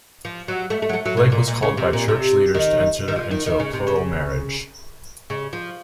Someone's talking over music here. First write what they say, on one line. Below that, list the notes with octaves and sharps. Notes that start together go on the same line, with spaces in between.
Flake was called by Church leaders to enter into a plural marriage.
F3
F#3
A3
A3
F#3
A3
F#3
A2
A#2
A#2
C#3
C3
A#2
C3
D#3
D#3
F3
D#3
D#3
C#3
C3
C#3
C#3
F3